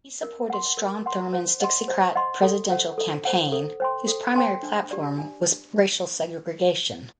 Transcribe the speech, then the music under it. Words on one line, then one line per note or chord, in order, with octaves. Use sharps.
He supported Strom Thurmond's Dixiecrat presidential campaign, whose primary platform was racial segregation.
A#4
F#5 C6
A#4
F#5 C6
C5
D#5 F#5 C6
C5
D#5 F#5 C6
A4
C5 F#5
A4
C5 F#5
A4
C5 G5 C6
A4
C5 G5 C6
D4
G4 D5
D4